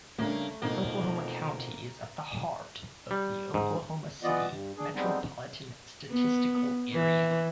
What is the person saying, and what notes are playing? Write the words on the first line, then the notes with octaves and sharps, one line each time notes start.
Oklahoma County is at the heart of the Oklahoma City Metropolitan Statistical Area.
C#3 G3 A3 A#3 D4
F2 B2 A#3 D#4
G3
G#2
E3 B3 F4 D5 D#5
G2
D4 G#4
G3 G#3 B3 C4 D#4
B3
E3